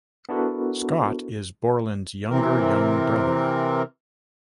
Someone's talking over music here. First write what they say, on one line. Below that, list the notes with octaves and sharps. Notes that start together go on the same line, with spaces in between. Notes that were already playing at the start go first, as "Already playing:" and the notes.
Scott is Borland's younger young brother.
B3 D4 E4 F#4 A4 A#4
C3 E3 C4 A#4